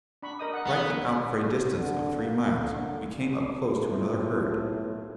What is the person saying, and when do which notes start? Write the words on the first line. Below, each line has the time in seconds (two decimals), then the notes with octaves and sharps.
Striking out for a distance of three miles, we came up close to another herd.
0.23 D4 B5 C#6
0.39 A#4 D#5 D#6
0.53 F#5
0.67 B3
1.77 D3
2.19 A#3
2.62 D3
3.79 B1 A2 C3 F4